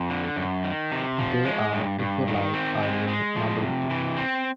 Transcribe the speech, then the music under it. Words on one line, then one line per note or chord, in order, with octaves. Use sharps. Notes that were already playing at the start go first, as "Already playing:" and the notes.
They are, if you like, our new 'nobility'.
Already playing: F2
D3
F#2
D#3
C3
F3
G#3
G2
G2
D#3
C4
G#3
G#3
F3
C3
E3
C4